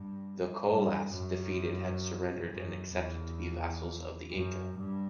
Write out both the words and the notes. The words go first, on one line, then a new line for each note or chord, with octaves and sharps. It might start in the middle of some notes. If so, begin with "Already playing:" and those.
The collas, defeated, had surrendered and accepted to be the vassals of the Inca.
Already playing: G2
G2
F#2
F#2
E2
F#2
G2